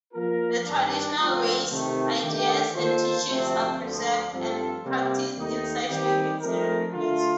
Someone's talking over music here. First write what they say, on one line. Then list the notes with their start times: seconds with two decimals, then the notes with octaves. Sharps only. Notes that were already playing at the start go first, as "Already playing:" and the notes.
The traditional ways, ideas, and teachings are preserved and practiced in such living ceremonies.
0.13 F3 A#3 F4 A#4
0.65 G2 D#3 G3 D4
1.18 D2 D3 F3 C4 F4
1.70 C3 D#3 A3
2.23 D#3 A3 D4 G4
2.75 D#3 A#3 F4 A4 C5
3.28 D2 C3 F3 A3 C4
3.80 D2 D3 F3
4.32 G2 F3 C4 F4 A4
4.84 C3 G3 A#3
5.37 D#2 D#3 A3 D#4
5.89 D#3 G3 C4 D#4 G4
6.41 F3 A3 C4 D#4 A#4
6.93 D3 A3 D4 F4